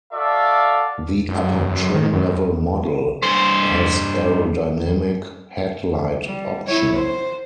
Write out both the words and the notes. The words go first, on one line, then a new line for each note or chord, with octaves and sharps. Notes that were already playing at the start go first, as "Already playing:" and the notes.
The upper trim level model has aerodynamic headlight option.
F#4 A4 D5 E5 F5
F#2
D#3
F#2
G2 C5
G3
E4 C#5
C5